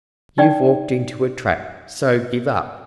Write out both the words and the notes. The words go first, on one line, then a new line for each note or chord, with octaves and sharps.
"You've walked into a trap, so give up."
D#4 D5 G5